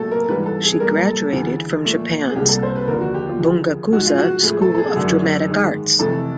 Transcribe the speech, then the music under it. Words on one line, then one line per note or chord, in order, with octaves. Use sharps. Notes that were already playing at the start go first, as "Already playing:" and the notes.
She graduated from Japan's Bungakuza School of Dramatic Arts.
Already playing: A#2 F#3 A3 A4
A#4
G#2 E3 G3 B4
A4
G#4
A#2 G3 A#4
A4
D2 C#3 E3
A#2 F3 A3
G#4
C2 A#2 G3 G4
A4
C5
B4
D#2 D3 F3 A#4
F#4
G4
F4
D2 C#3 F3
G#2 F3 G#3 F#4
F4
F#4
A2 F3 A3 G#4
A4
A4
G#4
F#2 D3 F#3 A3
G#2 D#3 G#3
F2 C3 E3 A3 A4